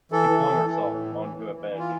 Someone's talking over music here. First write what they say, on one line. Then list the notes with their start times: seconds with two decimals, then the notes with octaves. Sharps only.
She flung herself on to a bench.
0.11 E3 A4
0.29 E3
0.48 E3
0.65 E3
0.83 A2
1.01 E3
1.19 E3
1.37 E3
1.54 E3
1.72 E3
1.79 F4